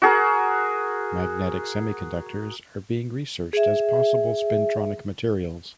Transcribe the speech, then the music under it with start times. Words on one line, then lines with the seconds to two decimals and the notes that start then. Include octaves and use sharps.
Magnetic semiconductors are being researched as possible spintronic materials.
0.02 F#4 G#4 A#4
3.53 G#4 E5